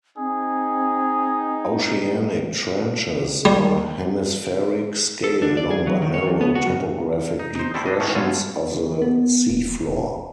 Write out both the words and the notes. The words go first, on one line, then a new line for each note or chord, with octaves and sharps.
Oceanic trenches are hemispheric-scale long but narrow topographic depressions of the sea floor.
C4 D#4 G#4
G3
A4
D4
D5
G#4
F#3
D#3
C#5
F2
B3
F#4
F#2
D#4
D#4 C5
G3 A3 C4 E4 A4
C4 D4 D#5
E2 A2 D#3 E3 A3 C#4
B1 F#2 B2 F4 A4 G#5
B3
D#1
E1